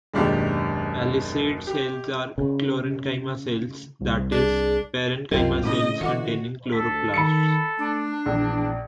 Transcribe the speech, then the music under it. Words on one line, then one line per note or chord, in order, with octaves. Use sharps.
Palisade cells are chlorenchyma cells, that is, parenchyma cells containing chloroplasts.
F#1 D#2 B2 G#3 D4 G4
G4
C#3
C2
D4 G#4
C2 F#2 F#3 C4 F4 A#4 D#5 G5
A2 C#3 C#4 E4 D#5
D3 E3 F#4 D#5 F#5 D6
D2 A4 B6
D#3 B5 C#7
A3 D4
A#1 E2